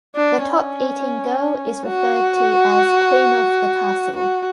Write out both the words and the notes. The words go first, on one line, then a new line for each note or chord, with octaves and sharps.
The top-eating girl is referred to as Queen of the Castle.
D4
C#4
F#4
F#4